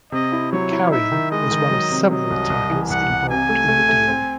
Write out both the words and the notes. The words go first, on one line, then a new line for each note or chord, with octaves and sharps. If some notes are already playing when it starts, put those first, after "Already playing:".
"Karin" was one of several titles involved in the deal.
C3 D#5
E4
F#3 C#5
E4
D#4 E5
D#3
G#3 D#5
D#3
F#3
C3
F#3 D#5
C2
C2
E3
C2 F#5
C2
C3 G#5
A3
A3
A3
C4